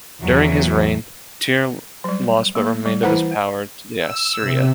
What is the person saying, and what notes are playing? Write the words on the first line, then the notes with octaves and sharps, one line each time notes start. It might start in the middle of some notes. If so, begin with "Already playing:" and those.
During his reign, Tyre lost what remained of its power to Assyria.
E2 E3 F#3
F#3 G3
A#3
G3
E3 E4 B4 C5 F#5
E6
C3